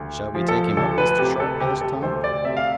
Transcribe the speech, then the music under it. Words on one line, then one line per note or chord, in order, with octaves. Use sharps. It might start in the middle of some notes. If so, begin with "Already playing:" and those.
"Shall we take him up, Mr. Sharp?" asked Tom.
Already playing: D2
F3
A4
D2 A4
B4
C3 G4
A4
D2 G4
A4
D2 C5
D5
C3 E5
F5